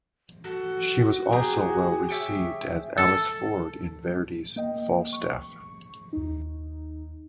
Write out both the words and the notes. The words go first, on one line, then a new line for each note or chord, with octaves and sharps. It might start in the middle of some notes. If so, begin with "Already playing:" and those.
She was also well received as Alice Ford in Verdi's "Falstaff".
F#4 A4
G4 G#4 A#5 G6
G4 C#5 E5
A4
A#3 D#5 G5
C#6
D#2 D#4